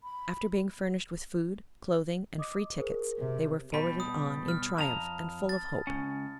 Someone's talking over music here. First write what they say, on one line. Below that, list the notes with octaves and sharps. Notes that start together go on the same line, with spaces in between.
After being furnished with food, clothing, and free tickets, they were forwarded on in triumph and full of hope.
B5
D#5 D6 D#6
G#4 A#4 C5
C3
B2 G3 B5
D#6
F6
F2 A5 A#5
A6
C#2 C#4